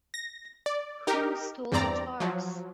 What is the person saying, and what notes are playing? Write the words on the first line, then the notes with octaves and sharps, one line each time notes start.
Who Stole the Tarts?
A#6
D5
D#4 G4 A#4
E2 G2 C4 D5 A#5
F3 F#3